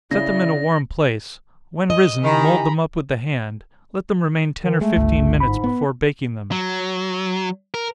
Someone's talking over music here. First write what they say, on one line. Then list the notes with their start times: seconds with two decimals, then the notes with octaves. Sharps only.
Set them in a warm place--when risen, mould them up with the hand--let them remain ten or fifteen minutes before baking them.
0.11 C#3 E4 D5 A#6
1.90 D#5
2.23 D#3 E4 G4 G#5 A#5 B5
4.62 D#3
4.81 G#3 A3
4.96 G1 C#2
5.40 G#2 B5
5.64 B3
6.51 F#3
7.74 A#4